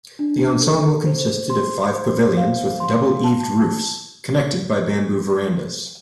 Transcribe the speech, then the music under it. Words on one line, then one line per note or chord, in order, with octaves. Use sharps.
The ensemble consisted of five pavilions with double-eaved roofs connected by bamboo verandas.
D4
A4
C5
C6
C5
F5
C6
A5